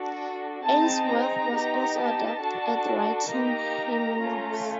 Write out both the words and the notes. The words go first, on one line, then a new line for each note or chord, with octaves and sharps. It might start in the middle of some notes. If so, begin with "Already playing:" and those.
Ainsworth was also adept at writing hymnals.
Already playing: D4 F#4 A4
C4 D#4 G#4 A5
A#5
B3 D#4 G4
A5
D4 F#4 A4
A#3 D#4 G4 A#5
A3 C#4 F4